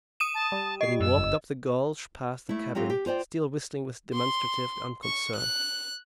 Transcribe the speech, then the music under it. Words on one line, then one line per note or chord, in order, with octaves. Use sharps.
Then he walked up the gulch past the cabin, still whistling with demonstrative unconcern.
D#6 D#7 E7
A5
G3
D#5 C7
F#2 E6
G1
A3 E4
F#3 C4 F4 G4 F5
G4
F4 C5 D5 G5
C6
C#6
F#6